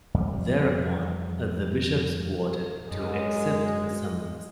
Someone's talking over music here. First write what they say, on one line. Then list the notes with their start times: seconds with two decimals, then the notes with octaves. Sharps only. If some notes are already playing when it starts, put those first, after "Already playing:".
Thereupon, the Bishops voted to accept the summons.
0.14 F2 G3
2.91 F#2 G#3